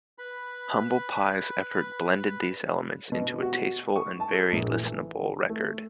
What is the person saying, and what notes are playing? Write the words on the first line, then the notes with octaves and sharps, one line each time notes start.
Humble Pie's effort blended these elements into a tasteful, and very listenable, record.
B4 B5
B2
F#4
C#6
A5
A4
A#1
E3
A3